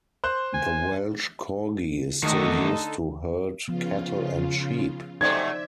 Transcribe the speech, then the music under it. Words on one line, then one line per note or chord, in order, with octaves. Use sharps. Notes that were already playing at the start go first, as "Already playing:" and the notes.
The Welsh Corgi is still used to herd cattle and sheep.
C5 C6 F#6
G#5
E2 D3 D#3 A3 D#4 F#4 A4 D#5
C#3 F3 B3 F4
F#2 C3 A3 D#4 C5 D5 E5 G#6